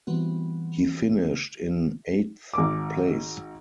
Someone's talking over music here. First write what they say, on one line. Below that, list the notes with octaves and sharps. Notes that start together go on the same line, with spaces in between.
He finished in eighth place.
E3 G3 B3 C4 F#4
G#1 D6